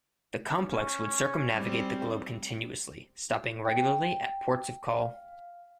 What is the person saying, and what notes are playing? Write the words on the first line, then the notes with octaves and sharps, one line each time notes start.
The complex would circumnavigate the globe continuously, stopping regularly at ports of call.
C#4
G3 C4
G5
F5